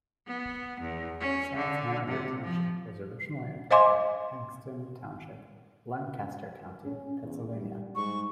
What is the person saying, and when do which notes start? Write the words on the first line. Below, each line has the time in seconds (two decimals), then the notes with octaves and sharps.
South Hanover Township was originally a part of Paxtang Township, Lancaster County, Pennsylvania.
0.26 B3
0.80 E2
1.20 C#4
1.56 D3
2.08 C3
2.43 F3
3.71 C5 D#5 F5 G#5 C6 D6
6.85 C#4
7.23 E2
7.55 G3
7.96 G#2 C#6